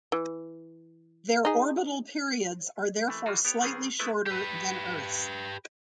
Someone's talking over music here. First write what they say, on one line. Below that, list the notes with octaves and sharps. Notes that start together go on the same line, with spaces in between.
Their orbital periods are therefore slightly shorter than Earth's.
E3
D#4 G#4
E3 A3
F#3 G3 F4 F#4
B3 G4 C#5
D#3 G3 B3 C4 G#4
G#3 A3 B3 E4 B4
G4 B4